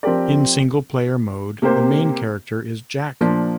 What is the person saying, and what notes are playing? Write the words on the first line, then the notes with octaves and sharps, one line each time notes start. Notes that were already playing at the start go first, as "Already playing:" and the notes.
In single player mode, the main character is Jack.
F3 C4 G4 A#4 D5
C3 A#3 G4 C5
A#2 F3 D4